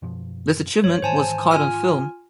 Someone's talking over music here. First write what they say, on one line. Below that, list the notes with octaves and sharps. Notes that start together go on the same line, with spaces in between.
This achievement was caught on film.
F#2 B2 F3
F#1 C#5
G#2 D#3 E3 C5 G#5 A5
F4 G#5 F6